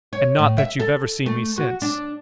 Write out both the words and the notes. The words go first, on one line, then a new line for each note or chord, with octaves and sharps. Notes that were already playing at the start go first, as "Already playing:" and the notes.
"And not that you've ever seen me since?"
C#5
A2
E5
A4
A3
F#4
D4